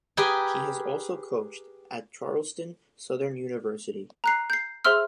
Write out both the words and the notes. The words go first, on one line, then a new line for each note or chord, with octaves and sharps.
He has also coached at Charleston Southern University.
G4 G#4 A#4 B4 G5 G#5
A#5 F#6 C7
G6 C7
G#4 C5 E5 C6 E6 F6